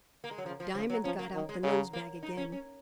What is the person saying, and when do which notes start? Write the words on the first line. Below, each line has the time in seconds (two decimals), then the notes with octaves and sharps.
Diamond got out the nose-bag again.
0.24 A#3
0.31 G#3
0.38 F#3
0.45 C#3 F3
0.60 F3
0.75 C#3 F3
0.90 F#3
1.04 F3 C#4
1.19 A#3
1.34 D#3
1.49 G#3
1.63 C#3 F#3
1.93 A#3
2.23 D#4
2.37 C#4
2.52 C#4